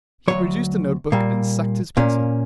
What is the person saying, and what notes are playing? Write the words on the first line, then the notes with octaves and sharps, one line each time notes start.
He produced a notebook and sucked his pencil.
D2 C#3 F#3 C#5
A#2 G3 A#3
A#2 A#3 C#4